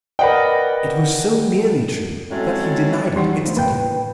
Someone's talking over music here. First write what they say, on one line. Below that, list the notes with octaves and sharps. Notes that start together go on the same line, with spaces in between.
It was so nearly true that he denied it instantly.
A#4 B4 D5 D#5 F#5 G5
A2 F#3 G#3 C4 C#4 A4
E3 G3 D#4 F#5
F3 A3 D4
G#2 C#3 A#3 B4 G5
A2